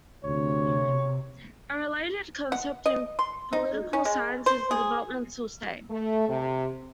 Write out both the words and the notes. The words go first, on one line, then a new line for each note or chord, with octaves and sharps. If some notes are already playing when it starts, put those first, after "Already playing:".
A related concept in political science is the developmental state.
D2 C3 C#5
F#5
D#5
C6
D#4
C#4
G#3
C5
G#4
A3
C3